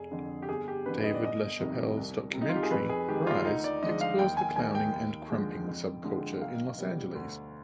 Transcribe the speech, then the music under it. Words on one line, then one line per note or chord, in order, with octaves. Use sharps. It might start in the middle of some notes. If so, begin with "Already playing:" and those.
David LaChapelle's documentary "Rize" explores the clowning and krumping subculture in Los Angeles.
Already playing: F1 G#4
F2 D3
G4
G1 G#4
G4
F2 D3 B4
D#5
D5
G1 D#5
F2 C3 D#3 G3
C2
C3 G3
D#4
F4
G4
G#4
F2 B4
G#4
D#3 G#3 G4
F4
D2 D#4
D5
D3 F3 G#3 D#5
F5
D#2 G5
G#5
D#3 G3 G#5
G5
D#2
D3 F3 G#3
F2
D3 F3 G#3
B1 F5
B2 G3
D2